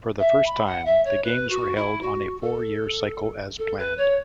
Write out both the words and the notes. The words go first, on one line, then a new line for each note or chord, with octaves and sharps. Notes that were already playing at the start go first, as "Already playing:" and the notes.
For the first time the Games were held on a four-year cycle as planned.
E5
B5
F#5
E5
C#5
B4
F#4
E4
F#4
A4
A4
B4
C#5